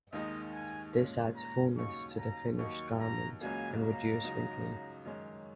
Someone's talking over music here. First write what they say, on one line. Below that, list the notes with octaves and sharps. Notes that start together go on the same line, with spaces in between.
This adds fullness to the finished garment and reduce wrinkling.
D#2 D#3 G#3 D#4 D#5
G#5
A#2 G#3 C#4
A#5
D#2 C#3 F#3 D#4 C#6
A#5
D#2 D#3 F#3 D#4 C#6
A#5
C#2 C#3 F#3 A#3 G#5
A#5
C#2 C#3 F#3 D#4
F#2 D#3 G#3 C#4